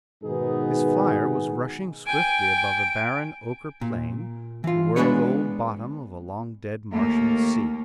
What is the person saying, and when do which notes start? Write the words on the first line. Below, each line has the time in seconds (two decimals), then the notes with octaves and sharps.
His flier was rushing swiftly above a barren, ochre plain--the world-old bottom of a long-dead Martian sea.
0.23 G#2 B2 D#3 B3 D#4 G#4
2.06 G5 G#5 D7
3.81 A#2
4.64 E3 F4
4.96 G#3 B3 D4 G#4 B4 C#5
6.92 D#2 A3 A#3